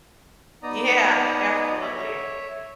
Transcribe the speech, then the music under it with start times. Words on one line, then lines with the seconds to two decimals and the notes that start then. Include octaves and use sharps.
Yeah, absolutely.
0.63 B3 D#4 D5 A#5 D#6
1.82 C#5 E5